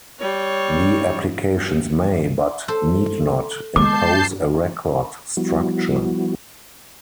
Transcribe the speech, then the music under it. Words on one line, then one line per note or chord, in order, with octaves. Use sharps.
The applications may, but need not, impose a record structure.
G3 C#5
A4 C5
G#3 B3 A5 D6 G6 C7
F3 G3 B3 E4 F#4